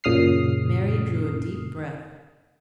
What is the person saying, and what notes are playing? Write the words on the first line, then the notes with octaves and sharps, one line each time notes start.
Mary drew a deep breath.
F#2 A#2 C#3 D#6 F6 C7